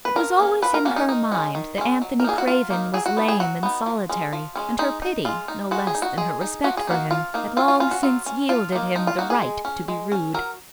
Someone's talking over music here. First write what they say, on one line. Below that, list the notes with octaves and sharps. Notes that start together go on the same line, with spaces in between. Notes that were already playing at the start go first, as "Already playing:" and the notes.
It was always in her mind that Anthony Craven was lame and solitary, and her pity no less than her respect for him had long since yielded him the right to be rude.
B4
F3 A#4
A#3 C#4
F3 B4
A#4
A#3 C#4 F#4
D#4
D#3 D#4
G#3 C#4
D#3
G#3 C#4
F#3
A#4
A#3 D#4 G#4
F#4
F#3 F4
A#3 D#4
F#3 G#4
F#4
B3 D#4
G#4
F#3 F#4
B3 D#4
F3
G#3 C#4
F3
G#3 C#4
G#3 D#4
D#4
G#3 F4
D#4
G#3 F#4
G#4
D#4
F#4
G#3 G#4
D#4
F3 F#4
G#4
A#3 D#4 F#4
F3 F4
A#3 D#4
F#3 F4
F4
C#4 F4
F#4
F#3 F4
C#4
F3 F4
A#3 D#4
F3 D#4
F4
A#3 D#4 F#4
G#4
G#3
C#4
G#3
C#4
F#3 A#4